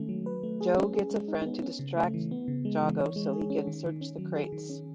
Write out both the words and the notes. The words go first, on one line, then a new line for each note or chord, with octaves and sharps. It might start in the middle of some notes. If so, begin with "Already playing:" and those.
Joe gets a friend to distract Jago so he can search the crates.
Already playing: D#3 G#3 A3 C#4
F#3
B4
A3
G#4
C#4
G#4
G#3
D#4
B3
C#4
C#3
A3
E3
B3
C#3
G#3
E3
C#5
G#3
G#4
C#4
D#3
D#3
C#4
F#3
G#4
D#3
C#4